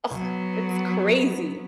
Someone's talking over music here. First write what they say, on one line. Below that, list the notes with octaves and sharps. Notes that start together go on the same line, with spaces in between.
Ugh, it's crazy!"
F#3 B3